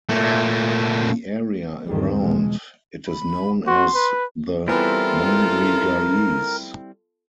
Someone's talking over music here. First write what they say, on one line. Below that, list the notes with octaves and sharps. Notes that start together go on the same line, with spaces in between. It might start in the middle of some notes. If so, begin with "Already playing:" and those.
The area around it is known as the Monregalese.
A#2 A3
E2 G#2 D3 D#3 G3 C4
B2 E3 F3 G#3
B5
F#4 C6
B4
E3 G3 B3 C4 E4 F4 A4 A#4